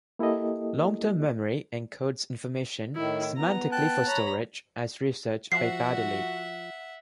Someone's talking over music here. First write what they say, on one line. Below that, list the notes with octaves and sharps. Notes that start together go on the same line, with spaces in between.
Long-term memory encodes information semantically for storage, as researched by Baddeley.
A#3 E4 G4 A4 D#5
A2 D#3 E4
B3 A#5
G5 A5 F#6
C#5 A#5 B5
F3 F#4 E5 F#5 C7